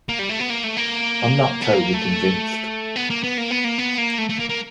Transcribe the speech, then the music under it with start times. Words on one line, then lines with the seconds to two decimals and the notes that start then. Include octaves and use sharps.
I'm not totally convinced!
0.09 A#3
0.19 G3
0.29 A3
0.40 B3
0.50 A#3
0.64 A3
0.77 A#3
1.62 B3
1.73 A#3
1.94 A3
2.96 B3
3.10 A#3
3.23 B3
3.38 A#3
3.51 B3
3.64 A#3
3.78 B3
3.98 A#3
4.19 A3
4.30 A3
4.40 A#3
4.50 A#3